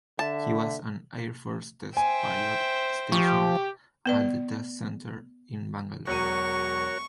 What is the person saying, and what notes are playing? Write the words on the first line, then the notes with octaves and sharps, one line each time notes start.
He was an Air Force test pilot stationed at the test center in Bangalore.
D3 E5 A5
C5 E5 G5 G#5
F3 G4 C#6
B3 B4 D5
E1 F#3 F#4 A#4 C#5 C#6 D#7